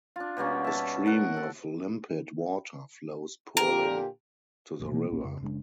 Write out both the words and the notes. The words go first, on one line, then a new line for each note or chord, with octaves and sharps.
A stream of limpid water flows purling to the river.
D4 F4
B2 G3 A#3 C#4
E5 A5
A#4 F#5
A4
A#2 D3 G4 A#4
A1 F2 A#2
B2 E3 A#3 C4
D1 A#1 A#3 C#4
F2 C#3
F#1 C#3 G#3 D4